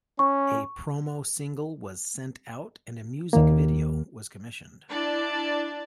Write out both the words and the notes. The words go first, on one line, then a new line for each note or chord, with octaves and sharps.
A promo single was sent out and a music video was commissioned.
C#4 C#6
D#2 D#3 A#3
D4 E4 D5 A5